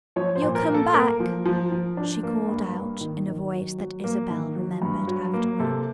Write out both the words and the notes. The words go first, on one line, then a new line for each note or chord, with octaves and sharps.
"You'll come back?" she called out in a voice that Isabel remembered afterwards.
F3 C#5
C5
A#2
A#4
A#3
A4
A#3 A#4
F3
F3
F3
D4
A#3
G2
A#3
D#3
D#3
F#3
F#3
A#3
D#3
F#3
G2
F#3
A#3
C3 A4